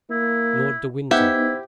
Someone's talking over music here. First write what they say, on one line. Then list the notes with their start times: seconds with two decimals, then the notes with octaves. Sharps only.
"Lord de Winter."
0.10 A#3 E4
1.11 B3 D#4 E4 G4 C5 E5 F#5